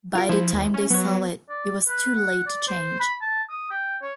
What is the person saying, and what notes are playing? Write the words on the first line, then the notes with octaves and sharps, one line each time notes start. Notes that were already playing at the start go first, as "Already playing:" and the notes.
By the time they saw it, it was too late to change.
F4 A#4
F3 E4 C5
D#2
C#4
F#3 B3 C#5
D5
B4
F#5
D5
C5
B5
A5
D#6
G5
C#5